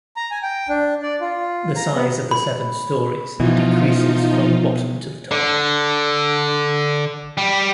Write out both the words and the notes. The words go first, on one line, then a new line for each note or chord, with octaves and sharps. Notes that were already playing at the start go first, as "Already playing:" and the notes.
The size of the seven storeys decreases from the bottom to the top.
A#5
G#5
G5
D4
D5
F4
A#5
B3
B5
B2 E3 F3 D#4 F4
D3
G3